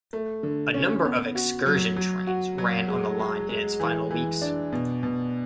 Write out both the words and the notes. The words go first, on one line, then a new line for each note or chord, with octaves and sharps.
A number of excursion trains ran on the line in its final weeks.
A3
D3
C#4
B3
F#4
F#3
F#3
F#4
F#3
G#3
G#3
G#3
E3
E3
D4
B2
B2